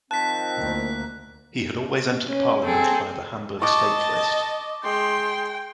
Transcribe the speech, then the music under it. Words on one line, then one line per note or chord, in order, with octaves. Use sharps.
He had always entered parliament via the Hamburg state list.
D#3 F3 C4 A5 F#6 B6
D2 A#3
C#4
C4 G#4 A4
D#5 A5 C#6 D6
G#3 G5 C6